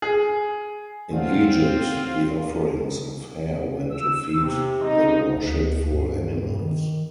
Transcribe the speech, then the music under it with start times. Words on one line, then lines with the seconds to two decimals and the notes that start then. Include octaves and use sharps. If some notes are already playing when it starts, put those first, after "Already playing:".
In Egypt the offerings of hair went to feed the worshipful animals.
0.02 G#4
1.11 A2 D3 A#3 C4 F4
3.93 E6
4.43 C3
4.84 D#4
5.36 D2
5.93 G2
6.63 D#3